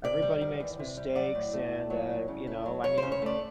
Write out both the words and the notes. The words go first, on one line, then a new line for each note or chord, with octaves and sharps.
everybody makes mistakes and, uh, you know, I mean,
C3 D5
G3
D#3
E2
C3
G3
F#3 D5
A2
A3
A2
F#3
A2
C#3
A3
F#3
F2 C#5
C#3 C5
C#5
A3 D5